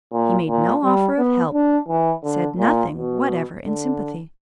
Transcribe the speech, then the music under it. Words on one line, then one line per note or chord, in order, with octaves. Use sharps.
He made no offer of help, said nothing whatever in sympathy.
A#2
A#2
G3
B3
D4
E3
D3
A#2
B2
D3